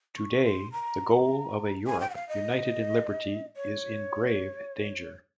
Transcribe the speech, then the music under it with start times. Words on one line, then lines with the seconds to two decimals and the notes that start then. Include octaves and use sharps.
Today, the goal of a Europe united in liberty is in grave danger.
0.16 C#6
0.45 C6
0.72 A#5
1.87 G#5
2.00 G5
2.10 F#5
2.15 F5
2.29 D#5
3.56 C#5